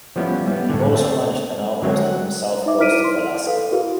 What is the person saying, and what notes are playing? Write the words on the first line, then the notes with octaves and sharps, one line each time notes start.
He also managed an outpost on the south coast of Alaska.
F3 G3 B3 C#4 E4
G3 B3
A2 D3
A3 C4
D3 F#3 G#3 C4
F#5
D#4 E5 D6
E4 C5 F6 B6 D7 D#7
C6
A4 B4 F5
E4 F#4 G#4 A#4 B4 F5